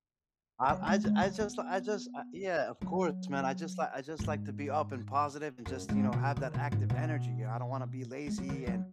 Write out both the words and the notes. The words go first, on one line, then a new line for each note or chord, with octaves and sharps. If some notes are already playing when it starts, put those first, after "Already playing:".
I I j I just I just, uh, yeah, of course, man, I just like I just like to be up and positive and just, you know, have that active energy, I don't wanna be lazy and
F#3
G#3
G#3
F#3
B3
F#3
F#2
G#2
F#2
G#2
B2
D#3
B2
G#2
B2
G#3
F#3
D#3
F#3